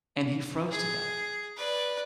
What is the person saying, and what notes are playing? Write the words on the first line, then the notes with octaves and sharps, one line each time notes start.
and he froze to death.
G#4
B4 D5